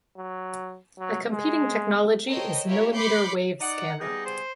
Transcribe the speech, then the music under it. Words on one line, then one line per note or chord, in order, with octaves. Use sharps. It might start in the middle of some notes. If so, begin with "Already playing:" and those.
A competing technology is millimeter wave scanner.
F#3
F#3
G#3
A4 A#4 C5 C#5 D#5 G5
E4 F4 G4 A#4 C#5
B5 C6 D6 G6 C7 C#7
D#4 D5 F#5
G3 B3 D#4 G#4
C5